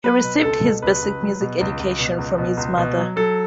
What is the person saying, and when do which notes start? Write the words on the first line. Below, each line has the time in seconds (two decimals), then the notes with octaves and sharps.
He received his basic music education from his mother.
0.04 F#3 B4
0.23 B2
0.43 C#2 A4
0.63 B2
0.82 C#2 B4
1.02 C#2
1.21 F#3
1.41 B2
1.61 C#2
1.79 C#2
1.99 B2
2.19 C#2
2.38 B2
2.57 C#2
2.77 B2
2.97 F#3
3.16 F#3 A4